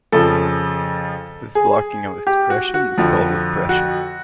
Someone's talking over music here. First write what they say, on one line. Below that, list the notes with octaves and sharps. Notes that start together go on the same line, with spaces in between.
This blocking of expression is called repression.
F2 C#3 F3 A4
G#4
G4
F#4
F#4
F2 D3 F3
F#4